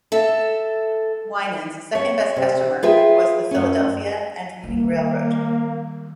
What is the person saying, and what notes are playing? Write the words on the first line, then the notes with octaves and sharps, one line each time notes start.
Winans' second best customer was the Philadelphia and Reading Railroad.
A4 E5
C#5
C3
F4 G#4 B4 E5 G5
F#2 A3 C#4
D#3 G3 A#3